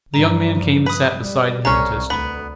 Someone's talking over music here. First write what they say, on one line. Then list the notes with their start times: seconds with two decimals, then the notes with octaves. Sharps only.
The young man came and sat beside the hypnotist.
0.14 G2 F3 A#5
0.86 B4 B5 D#6
1.19 G3
1.65 C2 C#4 F#4 G#4 A#5
2.10 D2 B3 B5